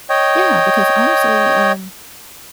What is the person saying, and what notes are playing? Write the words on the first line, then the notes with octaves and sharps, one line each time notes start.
Yeah, because, honestly, um,
C#5 D#5 G5